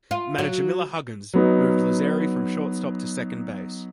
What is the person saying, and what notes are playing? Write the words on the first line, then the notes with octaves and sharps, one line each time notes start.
Manager Miller Huggins moved Lazzeri from shortstop to second base.
F4
F#3
F#3 B3 D#4